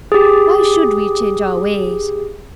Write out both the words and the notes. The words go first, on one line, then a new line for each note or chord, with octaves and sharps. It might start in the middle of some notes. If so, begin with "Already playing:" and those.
Why should we change our ways?
G4 G#4